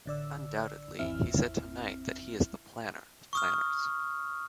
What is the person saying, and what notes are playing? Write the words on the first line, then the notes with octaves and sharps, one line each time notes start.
Undoubtedly he said tonight that he is the planner of planners.
A1 D3 D5 E6
G#1 E2 C4 E4 E5 F6
C#6 D#6 F6